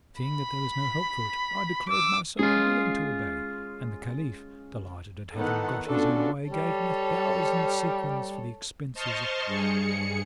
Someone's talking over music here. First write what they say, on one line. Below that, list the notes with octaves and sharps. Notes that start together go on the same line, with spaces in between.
Seeing that there was no help for it, I declared myself willing to obey; and the Caliph, delighted at having got his own way, gave me a thousand sequins for the expenses of the voyage.
B5
D6 E6
G#3 C#4 F4 G#4
D#3 E3 B3 A4 F#5
B3 C#4 D4 F4 F#4 A4
G3 A4 C#5
C5 D#5 A5 C6 C#6 F6
G2 G#4 C#7